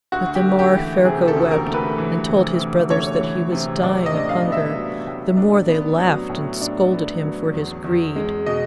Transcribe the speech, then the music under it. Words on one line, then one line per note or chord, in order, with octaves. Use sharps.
But the more Ferko wept and told his brothers that he was dying of hunger, the more they laughed and scolded him for his greed.
D2 F#4
G4
A3
G4
E3
C3 G#4
A4
D2
A#4
A3
B4
E3
C3
D2
A3 C#5
E3
C3
A2 D5
D#5
D4
F5
B3
E5
F#3
A2
D4
B3
F#3
A2
D4
B3
F#3
E2
E2
G#3
B2 D#5